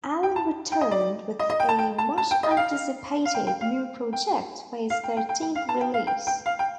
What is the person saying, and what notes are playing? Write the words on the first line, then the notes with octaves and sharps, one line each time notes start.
Allen returned with a much anticipated new project for his thirteenth release.
G5
A5
G5
D#5
D5
D#5
D#5
G5
A5
G5
A5
A5
G5
D#5
G5
F5
F5
G5
G5
F5
G5
F5
G5
G5
G5
G5
F5
A5
G5
F5
G5
G5
F5
G5